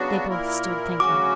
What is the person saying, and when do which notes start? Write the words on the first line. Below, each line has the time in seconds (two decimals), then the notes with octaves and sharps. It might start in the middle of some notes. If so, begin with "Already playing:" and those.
They both stood thinking.
Already playing: C#3 F#3 B3 D4 F#4
0.27 A#2 A#3 E4 A#4
1.00 D2 C#3 F#3 C#4 F#4 D6